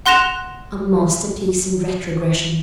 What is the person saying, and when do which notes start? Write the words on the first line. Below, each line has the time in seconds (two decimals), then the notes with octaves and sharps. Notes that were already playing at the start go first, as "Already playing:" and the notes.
A masterpiece in retrogression.
0.06 F#5 C6 F#6 A#6 E7 F7